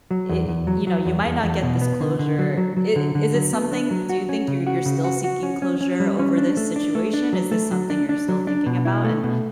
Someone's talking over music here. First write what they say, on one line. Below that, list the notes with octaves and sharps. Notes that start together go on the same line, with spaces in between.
Eh eh, you know, you might not get this closure. I is it something; do you think you you're still seeking closure over this situation? Is this something you're still thinking about? And
F#3
E2
E2
F#3
F#3
E2
E2
E2
B2
B3
D3
D3
F#3
F#3
F#3
D3
D3
F#3
B3
D4
F#3
F#4
C#4
C#3
F#4
C#3
F#4
F#4
C#4
C#4
C#4
G3
C#4
D4
A3
D4
A3
D4
F#3
A3
F#3
D4
D4
F#3
D4
B2
E4
A3
B2